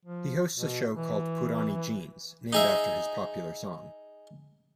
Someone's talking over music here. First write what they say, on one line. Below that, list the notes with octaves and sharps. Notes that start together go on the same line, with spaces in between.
He hosts a show called 'Purani Jeans' named after his popular song.
F3
B2
E3
D#4 G#4 E5